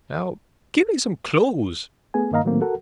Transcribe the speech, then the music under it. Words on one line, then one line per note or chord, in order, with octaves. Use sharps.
Now, get me some clothes.
A3 B3 G#4 G#5
G2 D#3 A#3 D#5 F5 A#5
A2 D#3 F#3 A3 A#3 C4
F#4 A4 A#4 F#5